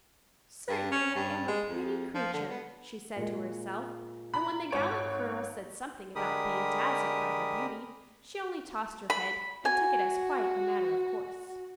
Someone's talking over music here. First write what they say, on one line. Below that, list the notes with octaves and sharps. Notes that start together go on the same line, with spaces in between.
"Certainly I am a pretty creature," she said to herself; and when the gallant colonel said something about being dazzled by her beauty, she only tossed her head and took it as quite a matter of course.
G2
C#4
G2
G#3
F2
F3
D3
B3
A#2 G#3
A#5 B5
G#1 C#5 D7
D3 G#3 G4 A#4 B5 D#6
B5
F#4 G#5